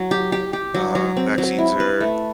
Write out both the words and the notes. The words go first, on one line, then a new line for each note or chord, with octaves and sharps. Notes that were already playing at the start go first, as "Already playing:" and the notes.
uh, vaccines are
Already playing: F#3
G4
G4
G4
F#3
F#3
C4
F#3
E4
B4
A3